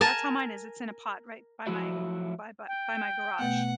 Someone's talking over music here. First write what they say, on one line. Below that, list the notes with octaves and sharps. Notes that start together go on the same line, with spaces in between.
That's how mine is, it's in a pot right by my by by my garage,
A#4 G#5 A5
F3 F#3 A3 E4 F#4 E5
G5
B2 A3 B3 F#5